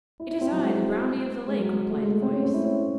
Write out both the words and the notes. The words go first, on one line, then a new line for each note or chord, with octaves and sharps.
'It is I, the brownie of the lake,' replied the voice.
E4
E4
C4
F#3
G#3
G#3
F#3
G#3
A3
G#3
A3
C4
C#4
C4
E4
C#4